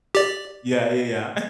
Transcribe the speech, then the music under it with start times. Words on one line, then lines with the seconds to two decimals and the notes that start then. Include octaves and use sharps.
Yeah, yeah,
0.15 G4 D5